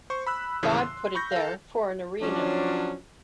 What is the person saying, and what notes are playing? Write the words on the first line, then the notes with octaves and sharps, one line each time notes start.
God put it there for an arena.
C5 C#6
B5 E6 F#6
D#2 A2 C#3 E3
C6
B5 C#6 G6 A#6
A4 F5
F3 F#3 C#4 D4